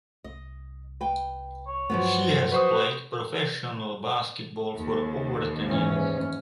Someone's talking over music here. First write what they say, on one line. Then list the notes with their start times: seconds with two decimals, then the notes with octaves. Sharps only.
She has played professional basketball for over ten years.
0.24 C2 D#5
1.01 B4 G5
1.67 C#5
1.90 G2 F3 F#3 B3
2.52 F#4 B4 C5 D#6
4.75 D#2
5.66 G#2 E3 C#4